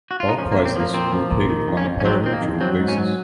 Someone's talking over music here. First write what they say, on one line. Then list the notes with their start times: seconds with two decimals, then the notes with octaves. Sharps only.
All prizes were paid on a parimutuel basis.
0.11 F#4
0.20 F4
0.29 D#4
0.38 F3 C#4
0.52 A#3
0.57 A#2
0.65 C4
0.76 F3 A#3
0.94 A#2 C4
1.12 F3
1.31 A#2
1.50 D#3
1.68 F2
1.77 C#4
1.87 F2
2.00 C#4
2.05 F#3 C4
2.23 D#3 C4
2.33 A#3
2.42 F2
2.61 F#3 C4
2.79 G#2
2.88 C#4
2.98 F#3